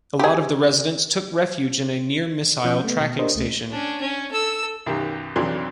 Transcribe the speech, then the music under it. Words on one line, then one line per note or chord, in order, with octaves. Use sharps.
A lot of the residents took refuge in a near missile tracking station.
G4 G#4
B2 F3 C#4 D#6 G6
A3 B3
B2 A5
D4 G4 A#4 C5 C#5 D#5
C#2 A3 C#4
C#4 D4
C#4
A4 E6
B1 F#2 D#3 G4
B1 F2 E3 F#3 D4 C6